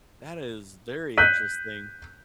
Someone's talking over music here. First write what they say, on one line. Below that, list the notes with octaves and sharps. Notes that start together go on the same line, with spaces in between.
That is very interesting.
F#6 G6 B6 D#7